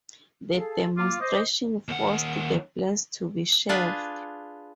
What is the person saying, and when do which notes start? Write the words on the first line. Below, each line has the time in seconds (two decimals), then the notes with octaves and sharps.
The demonstrations forced the plans to be shelved.
0.54 G#4 A4 F5
0.97 A#3 F4 D6
1.21 C5 D#5
1.89 D#2 F#5
3.69 D4 F4 G#4 B4